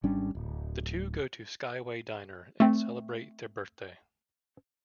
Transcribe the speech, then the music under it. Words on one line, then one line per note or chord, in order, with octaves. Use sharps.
The two go to Skyway Diner, and celebrate their birthday.
G#1 G3 C#4 D4
D1
A3 C4